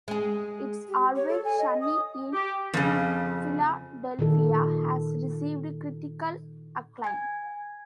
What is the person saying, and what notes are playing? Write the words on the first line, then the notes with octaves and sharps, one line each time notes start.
"It's Always Sunny in Philadelphia" has received critical acclaim.
G#3 G#4
G4
C#5
A4
G#5
D#5
D#6
G4
F2 C#3
A#2 D#3 A4
G#5 G#6